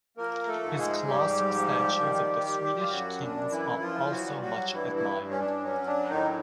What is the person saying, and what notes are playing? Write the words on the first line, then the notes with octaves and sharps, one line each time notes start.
His colossal statues of the Swedish kings are also much admired.
F3 A#3 A#4
A3 A4
G#2
G#3 G#4
G#2 G3 G4
F3
D#3
G3
F4
F#2 F#3 F#4
D4
F#2
E3 E4
E3 F3 F4
F#3 F#4
G3
F#3 F#4
G2 E3 E4
E3 E4
G2
C#4
D4
F#3 C#4
D4
A2 D#3 D#4